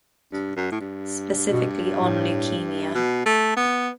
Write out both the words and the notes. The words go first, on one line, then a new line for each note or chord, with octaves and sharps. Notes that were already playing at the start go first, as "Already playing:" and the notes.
Specifically on leukemia.
G2
F#2
A2
G2
B2
A2
B2
A3
B3